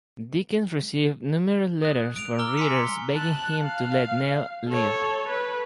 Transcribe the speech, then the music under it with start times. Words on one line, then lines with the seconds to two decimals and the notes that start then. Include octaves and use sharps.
Dickens received numerous letters from readers begging him to let Nell live.
1.82 D#6 F#6
2.16 D7 F7
2.39 A#5 D6 E6 F6 G7
2.57 G#5 C6 B6 C#7
3.14 A5 F#6
3.62 F5
4.68 A4 C#5
5.29 B4